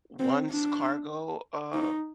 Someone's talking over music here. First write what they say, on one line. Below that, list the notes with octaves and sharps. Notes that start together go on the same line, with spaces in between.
once cargo, uh,
C4
D4
D#4